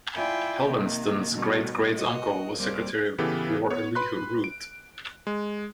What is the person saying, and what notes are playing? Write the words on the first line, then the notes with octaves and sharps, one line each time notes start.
Helvenston's great-great-uncle was Secretary of War Elihu Root.
E4 F4 D5 G5 G#5 B5
C3 D#3 A#3
B2 D#3 G3
F#4 D#5
D#2 G3 A#3 C4 D6
C#3 E3 B3 G4 A4 B4
B3 C#5
B4 B5 C6 F#6
D7
G#3